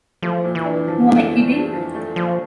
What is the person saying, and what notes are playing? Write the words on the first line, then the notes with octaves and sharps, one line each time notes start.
Who am I kidding?
F3 A3
A#2
E3
D4
F3
A3
A#2
D4
F3
A3
A#2 F3